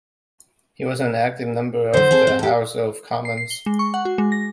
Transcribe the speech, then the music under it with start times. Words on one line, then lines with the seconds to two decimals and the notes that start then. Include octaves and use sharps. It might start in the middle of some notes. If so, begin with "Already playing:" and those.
He was an active member of the House of Commons.
1.93 D3 F#3 C5
2.11 C4 G#4 A4
2.27 C4
2.39 G4 A4
3.25 C7
3.37 C7
3.50 G7
3.66 G#3
3.79 C#6
3.94 F#5
4.05 F#4
4.18 G#3
4.32 A#6